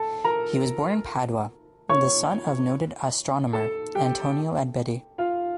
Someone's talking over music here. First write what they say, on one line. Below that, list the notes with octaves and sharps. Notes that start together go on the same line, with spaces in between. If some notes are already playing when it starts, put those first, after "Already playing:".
He was born in Padua, the son of noted astronomer Antonio Abetti.
Already playing: A4 A5
A#4 A#5
C#5 C#6
A4 A5
G4 G5
F4 F5